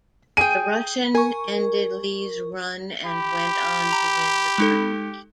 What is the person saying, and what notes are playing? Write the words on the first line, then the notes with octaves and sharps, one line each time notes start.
The Russian ended Li's run and went on to win the tournament.
G#4 G5 D#7
A#4 G#5 C#6
G4 B5
A#5 F7
G#3 D#4 A4